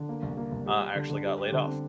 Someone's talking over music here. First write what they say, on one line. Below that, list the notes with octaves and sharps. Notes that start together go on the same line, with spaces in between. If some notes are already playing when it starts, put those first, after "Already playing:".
uh, I actually got laid off,
Already playing: D3
A#3
C2
A#3
C2
G3
G3
D3
D3
G3
G4
D3
C4